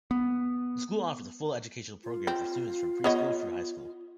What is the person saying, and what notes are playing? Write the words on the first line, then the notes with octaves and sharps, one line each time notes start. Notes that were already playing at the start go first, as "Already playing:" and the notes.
The school offers a full educational program for students from preschool through high school.
B3
F4
C4
B3 C#5 D#5